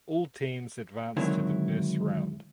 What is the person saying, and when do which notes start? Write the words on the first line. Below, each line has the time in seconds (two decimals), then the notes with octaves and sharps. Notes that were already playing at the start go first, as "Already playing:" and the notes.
All teams advanced to the first round.
1.17 G#2 D3 D#3 F#3 C4 E4